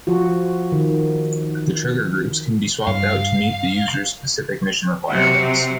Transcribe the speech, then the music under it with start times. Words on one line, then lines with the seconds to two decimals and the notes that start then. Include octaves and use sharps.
The trigger groups can be swapped out to meet the user's specific mission requirements.
0.07 F3 F4 F#4
0.72 D#3
2.87 G2 F5
5.08 C3 F#3